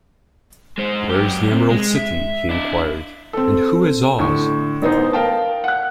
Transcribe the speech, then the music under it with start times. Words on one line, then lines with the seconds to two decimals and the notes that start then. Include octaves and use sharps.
Where is the Emerald City? he enquired; "and who is Oz?"
0.78 G#3 C5
1.10 F#2 G4
1.52 C3
1.71 G#3
1.96 E5
2.49 D4 E4
3.33 C4 A4
4.19 A2 D3 C#6
4.82 A1 B3 D#4 C5
5.13 A#4 F5 G5 A5
5.64 F#5 F#6